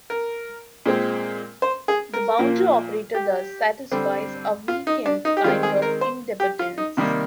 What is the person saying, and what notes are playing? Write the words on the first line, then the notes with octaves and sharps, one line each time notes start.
The boundary operator thus satisfies a weakened kind of idempotence.
A#4
A#2 G#3 C4
C5
G#4
A#4
A#2 F3 A#3
G4
D3 G3 C4
F4
D#4
D4
D#4
G4
D#3 G#3 C4 F4
G#4
A#4
C5
G4
F4
D#4
C3 D#3 G3 A#3